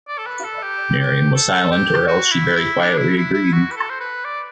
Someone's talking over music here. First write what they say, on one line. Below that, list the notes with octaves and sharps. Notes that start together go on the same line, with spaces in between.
Miriam was silent, or else she very quietly agreed.
D5
A4
B4
A4
G4
G4
A4
G4
F#4
E4
E4
D4
E4
E4
E4
F#4
B4
A4
C5
B4
D5